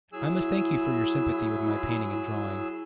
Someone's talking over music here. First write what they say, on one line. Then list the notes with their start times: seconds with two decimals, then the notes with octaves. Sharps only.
I must thank you for your sympathy with my painting and drawing.
0.13 F#3 E4 G#4 E6